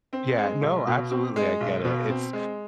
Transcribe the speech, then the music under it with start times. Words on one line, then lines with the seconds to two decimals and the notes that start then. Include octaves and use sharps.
Yeah, no, absolutely. I get it, it's
0.13 C4
0.38 G#3
0.62 B1
0.87 B2
1.11 C4
1.36 G#3
1.60 B1
1.84 B2
2.09 C4
2.33 G#3